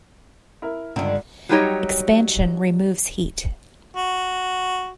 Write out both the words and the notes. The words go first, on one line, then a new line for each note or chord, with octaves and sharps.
Expansion removes heat.
E4 A#4
C#2 G2 D3
F#3 G3 D#4 G4 C#5 D#5
F#4